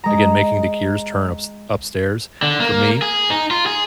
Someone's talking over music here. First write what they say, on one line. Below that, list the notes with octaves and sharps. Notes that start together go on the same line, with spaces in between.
again, making the gears turn ups upstairs for me.
G#3 A#5
D3
A#3
G#4
D#4
F4
G#4